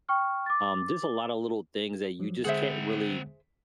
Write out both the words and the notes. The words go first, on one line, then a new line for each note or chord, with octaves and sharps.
um, just a lotta little things that you just can't really
G5 C#6 F6
D6 A6
F3 F#3
D3 G#3 C4 G#4 C5 E5 F#5